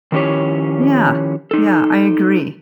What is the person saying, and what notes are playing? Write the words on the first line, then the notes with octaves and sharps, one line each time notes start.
Yeah. Yeah, I agree.
D#3 F3 C#4 E4 G4 C#5
D#4 A4